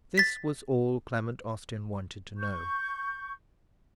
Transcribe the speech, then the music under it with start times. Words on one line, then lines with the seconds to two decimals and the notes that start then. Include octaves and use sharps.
This was all Clement Austin wanted to know.
0.18 A6 B6
2.38 C#6 G6